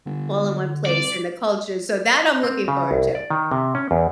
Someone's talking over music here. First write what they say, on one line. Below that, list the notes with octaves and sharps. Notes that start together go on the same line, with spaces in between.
all in one place and the culture, so, that I'm looking forward to.
G1 D3
C2 D5
C4
C#3
C2
D5
D#3
C3
C#4
E2